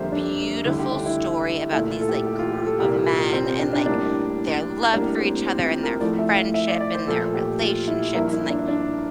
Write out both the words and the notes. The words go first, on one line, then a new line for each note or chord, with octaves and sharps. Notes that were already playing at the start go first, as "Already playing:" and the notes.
beautiful story about these, like, group of men, and, like, their love for each other and their friendship and their relationships and, like,
Already playing: F2 D3 G3 A#3 C5 E5
D4
D2 D3 G3 E4
G4
D4
E4
A#2 A3 E4
F4
A4
G4
G4
F4
G4
A4
C2 A#2 G3 A#3 G4
F4
C4
C4
D4
D4
A2 G3 A#3 D4
A2 G3 A#3 D4
C4
C4
F4
A#4
A2 F3 A3 D5
E5
F5
E5
D5
D5
C5
A#2 F3 A3 A4
G4
F4
E4
G2 F3 A#3 E4
E4
D4
D4